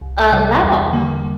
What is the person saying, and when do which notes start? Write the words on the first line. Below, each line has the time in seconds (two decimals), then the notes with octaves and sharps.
uh, level.
0.01 C2
0.32 C3 G3
0.63 E2
0.93 D3 G3 A#3